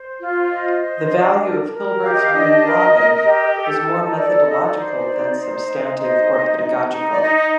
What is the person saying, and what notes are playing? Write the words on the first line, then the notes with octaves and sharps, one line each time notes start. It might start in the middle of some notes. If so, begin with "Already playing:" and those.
The value of Hilbert's "Grundlagen" was more methodological than substantive or pedagogical.
Already playing: C5
F4
C5 D#5
C5
D4
A#4
A#4
G4 F5
D#5
F5
D4 D#5
A#4
A#4
G4
A4
D#4
A4 D5
D5
D#4 D#5
D5
C5
D#4
C5
D#4
C5 D#5
D#4
D#4
D#4
D5
D#4 D#5
D#5